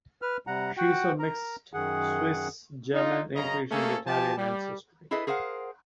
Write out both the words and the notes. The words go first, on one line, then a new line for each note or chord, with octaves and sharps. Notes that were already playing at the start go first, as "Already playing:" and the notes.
She's of mixed Swiss, German, English, and Italian ancestry.
B4 F6
C3 G3 F#5 A#5
F#4 F#5 G5
A#4 A#5
F#2 D#3 G#4 F#5
D#4 F4
F#2 C#3 D#5 A#5
A3 A#3 C#4 G#4 A4
F3 G4 G#5 A5
G3
E4 G#4 A4 B4 D#5
G#4 A#4 C5 F5 F#5